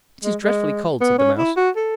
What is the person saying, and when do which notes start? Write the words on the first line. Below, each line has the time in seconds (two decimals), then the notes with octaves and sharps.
"It is dreadfully cold," said the Mouse.
0.24 G#3
0.44 G#3
1.01 B3
1.19 C#4
1.38 E4
1.57 F#4
1.76 A4